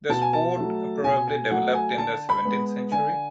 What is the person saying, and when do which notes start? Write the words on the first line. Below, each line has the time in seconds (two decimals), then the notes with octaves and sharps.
The sport probably developed in the seventeenth century.
0.09 B2 A5
0.22 G#5
0.33 A5
0.57 F#3 A3
1.04 B2 G#5
1.28 G#5
1.50 F#3 A3 F#5
1.74 G#5
1.98 D3 A5
2.29 B5
2.45 G#3 B3
2.92 D3 G#5